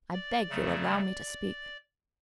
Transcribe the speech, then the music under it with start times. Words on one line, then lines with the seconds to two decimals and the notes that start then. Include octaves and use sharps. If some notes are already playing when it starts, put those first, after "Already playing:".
I beg you'll allow me to speak.
0.14 D5
0.49 C#3 F#3 A3